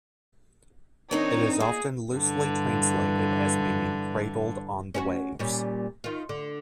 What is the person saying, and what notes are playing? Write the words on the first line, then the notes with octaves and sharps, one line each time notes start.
It is often loosely translated as meaning cradled on the waves.
D#3 C4 D4 D#4 C#5
A#2 G#4
G2 D3 E3
C#4 E4 F#4
A#2 G3 C#4
D#3 F4
D3